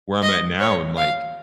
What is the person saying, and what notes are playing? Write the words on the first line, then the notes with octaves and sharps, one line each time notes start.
where I'm at now and, like,
D#5
C#5
F5